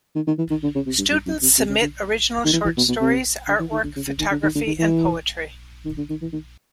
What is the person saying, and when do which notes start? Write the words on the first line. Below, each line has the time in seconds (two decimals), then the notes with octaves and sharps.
Students submit original short stories, artwork, photography and poetry.
0.16 D#3
0.27 D#3
0.39 E3
0.51 D#3
0.63 D3
0.75 C#3
0.86 C3
0.98 G2
1.10 G2
1.26 F#2
1.42 C3
1.58 C3
1.69 C#3
1.82 D3
2.45 D#3
2.53 E3
2.64 E3
2.77 B2
2.88 B2
3.01 C3
3.48 D3
3.60 E3
3.72 D#3
3.84 D3
3.96 C#3
4.07 C#3
4.19 D#3
4.31 D3
4.43 D#3
4.55 D3
4.67 D#3
4.79 E3
5.86 D#3
5.98 D3
6.10 D#3
6.22 E3
6.33 D#3